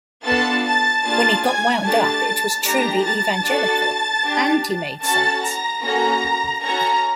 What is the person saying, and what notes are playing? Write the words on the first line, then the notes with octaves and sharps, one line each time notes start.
When he got wound up it was truly evangelical, and he made sense.
B3 D4 F4 A4 A5 A6
A5 A6
A#3 D4 F4 G#4 A5 A6
G#5 G#6
A3 D4 G4 A5 A6
A3 D4 G4 A#5 A#6
A5 A6
D4 F#4 A4
D4 G4
C#4 F#4 A4 A5 A6
A#5 A#6
A#3 C#4 F#4 A4 A#5 A#6
C#4 F#4 A4 A#5 A#6